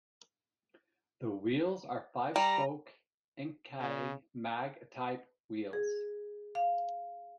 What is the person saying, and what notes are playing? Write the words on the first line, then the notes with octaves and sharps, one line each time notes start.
The wheels are five-spoke Enkei mag type wheels.
G3 A#5
C#3
G#4
F5